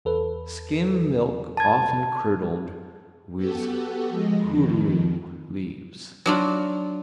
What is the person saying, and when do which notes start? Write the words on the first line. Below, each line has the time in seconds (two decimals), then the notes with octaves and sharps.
Skim milk often curdled with Korourou leaves.
0.05 E2 A4 B4
1.57 A5 G#6
3.37 B3 F#4 G4 A4
4.09 F3 G#3 D#5
4.42 F2 D#3
6.26 F#3 D4 F4